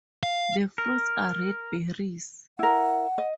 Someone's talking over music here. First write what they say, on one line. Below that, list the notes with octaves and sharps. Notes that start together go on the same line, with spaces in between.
The fruits are red berries.
F5
A#4
E4 A#4 F#5
D#5